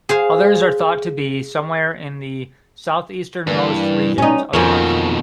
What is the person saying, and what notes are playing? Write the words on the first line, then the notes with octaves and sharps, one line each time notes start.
Others are thought to be somewhere in the southeastern-most regions of the country.
G#4 C5 F5
G2 E3 G3 A#3
G3 C#4 D#4 C#5
F2 B2 D#3 F3 A#3 C#4